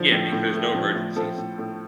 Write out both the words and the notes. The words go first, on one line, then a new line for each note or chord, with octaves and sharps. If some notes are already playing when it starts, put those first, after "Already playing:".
Yeah, make sure there's no emergencies.
Already playing: D3 F3
A2
A2
A3
F3
A2
F3 A4
A2
A2